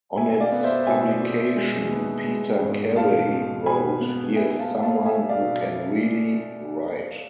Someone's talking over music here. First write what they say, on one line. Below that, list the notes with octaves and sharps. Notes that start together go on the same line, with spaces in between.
On its publication, Peter Carey wrote "Here is someone who can really write".
B2 E5 G#5
G#5
D5 F5
B3
C5 E5
B2 E5 G#5
B2
G#3
B3
G#3
G#2
B2 F5 A5
B2
B2 G#5 B5
B3
B2 E5 G#5
F5 A5
A3
F5 A5
A3 E5 G#5
D5 F5
B2